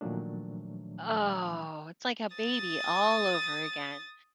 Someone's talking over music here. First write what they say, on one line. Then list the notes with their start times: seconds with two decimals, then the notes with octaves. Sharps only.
Oh, it's like a baby all over again.
0.01 A#2 D#3 F3 F#3 A3 D4
2.35 D#6 A6